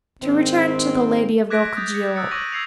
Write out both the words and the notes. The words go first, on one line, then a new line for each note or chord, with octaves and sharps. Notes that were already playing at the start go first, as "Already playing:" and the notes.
To return to the Lady of Rokjio.
G#2 D#3 C4
D6 F#6 G#6 A#6 B6 D7
D#6 G6 A6
C#7
D#6 E6 F#6 A6 C#7
C#6 D6 G#6 A#6 D#7 F#7
E6 G#6 C7 C#7 F7